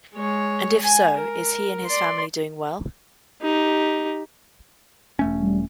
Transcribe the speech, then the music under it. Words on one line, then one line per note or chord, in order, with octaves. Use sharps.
And if so is he and his family doing well?
G#3 C#5
G#5
A#4
D5 C6
D#4 G4
E1 A3 C#4
G3